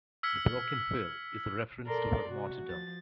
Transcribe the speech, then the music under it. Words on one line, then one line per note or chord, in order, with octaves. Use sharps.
The broken wheel is a reference to her martyrdom.
E6 F6 G#6 B6 C#7
A4 A#4 D5 C6
C3 F#4
F3 A6